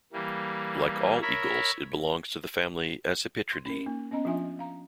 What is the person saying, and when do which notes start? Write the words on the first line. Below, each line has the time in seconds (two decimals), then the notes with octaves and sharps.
Like all eagles, it belongs to the family Accipitridae.
0.13 E3 G3 A#3
1.22 A#4 C#5 E5 A#5 B5
3.53 C6
3.66 C#4 A#4
3.86 A#3 D#4
4.11 B3 C#4 D#5 A#5
4.25 F3 D4 F4 E5 G#5
4.59 F5 A#5